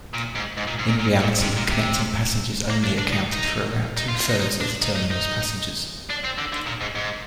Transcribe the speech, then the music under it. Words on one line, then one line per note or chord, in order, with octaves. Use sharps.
In reality, connecting passengers only accounted for around two-thirds of the terminal's passengers.
A#2
G#2
G#2
A#2
G#2
A#2
A#2
A#2
C3
A#2
C3
A#3
D4
D4
D#4
D#4
D#4
F4
F4
D#4
D#4
D4
D#4
D#4
D#4
D4
C4
D3
D3
A#2
G#2
G#2